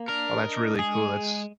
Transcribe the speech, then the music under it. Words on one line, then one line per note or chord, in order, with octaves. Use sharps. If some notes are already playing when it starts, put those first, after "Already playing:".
Well, that's really cool. That's
Already playing: A#3
D4 A#4
D#5
G#3 G#4
G#3